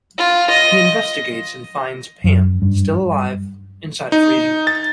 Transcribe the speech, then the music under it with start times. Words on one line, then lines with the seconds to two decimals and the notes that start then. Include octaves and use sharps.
He investigates and finds Pam, still alive, inside a freezer.
0.18 F4
0.50 D#5
2.24 F#2
2.62 G2
4.12 D#4
4.67 A6